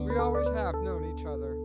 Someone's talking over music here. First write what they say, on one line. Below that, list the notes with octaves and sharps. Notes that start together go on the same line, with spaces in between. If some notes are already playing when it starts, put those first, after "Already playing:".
"We always have known each other."
Already playing: D2 D3 B3 D4
B4
A4
D5
B4
A4